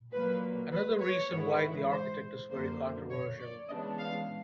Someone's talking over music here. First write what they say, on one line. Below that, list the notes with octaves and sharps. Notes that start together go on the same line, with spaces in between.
Another reason why the architect is very controversial.
A#2 F#3 A#3 B4
B4
C#5
G#2 E3 G#3 B3 E4
C5
F#2 D3 F3 A#3 C5
C#5
D5
C#3 E3 G#3 B3 D4 D#5
F5